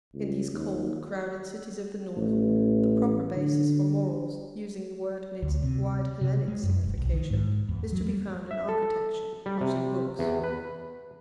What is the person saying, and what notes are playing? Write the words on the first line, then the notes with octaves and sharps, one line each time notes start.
In these cold, crowded cities of the North, the proper basis for morals, using the word in its wide Hellenic signification, is to be found in architecture, not in books.
C#2
D#2
A1
D3
D2
C3
C3
G#3
F#2
E1
B1
D#3
G#2
E2
F#3
G3
E5
A4
G3
C3
E2
B4